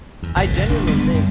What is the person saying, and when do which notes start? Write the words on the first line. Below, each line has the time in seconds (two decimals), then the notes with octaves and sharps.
I genuinely think
0.23 E2
0.36 G1 D2 A#2
0.54 A#1 F#2 C#3
0.68 D#1 A1 D4
0.88 D3 G3 G#3 B3
1.14 F#2